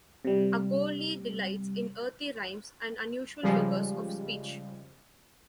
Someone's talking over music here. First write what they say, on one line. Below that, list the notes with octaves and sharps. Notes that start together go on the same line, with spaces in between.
Agolli delights in earthy rhymes and unusual figures of speech.
C3 G3
C#3 F3 G3 G#3